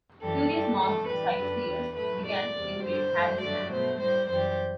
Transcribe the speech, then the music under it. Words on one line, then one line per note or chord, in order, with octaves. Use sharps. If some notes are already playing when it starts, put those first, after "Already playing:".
Curious mobs of sightseers began to invade Harris' land.
F#2 E3 G3 A4
G2 D3 G3
G2 E3 A3 A4
A2 E3 G3 B4
F#2 D3 G3
E2 D3 G3
A2 F#3 A3 B4
A2 G3 D5
E2 C3 G3
G2 D3 G3 C5
G2 E3 A3
G2 D3 F#3 A3 D5
B2 A3 C5
A2 G3 C5
F#2 E3 G3 C5